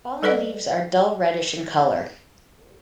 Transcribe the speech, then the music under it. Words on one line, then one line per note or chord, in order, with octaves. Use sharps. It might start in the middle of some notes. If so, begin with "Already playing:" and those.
Fallen leaves are dull reddish in colour.
G3 A4 B4 D5 D#5 F#5